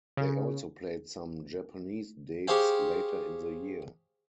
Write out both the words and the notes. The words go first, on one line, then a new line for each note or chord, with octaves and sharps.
They also played some Japanese dates later in the year.
C#3
G4 G#4 C5 C#5 F5 G5